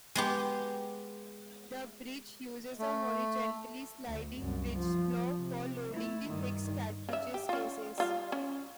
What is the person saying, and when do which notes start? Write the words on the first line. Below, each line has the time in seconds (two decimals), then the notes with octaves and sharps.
The breech uses a horizontally sliding breechblock for loading the fixed cartridge cases.
0.15 G#3 B3 G4
2.79 A3
4.06 D2
4.37 C2 F#2
4.73 F3
5.35 C3
5.93 A3 E4
6.29 G2 D#3
7.09 C#3 E5
7.34 G4
7.49 C#4 F4
7.98 G3 F4 F5
8.32 C#4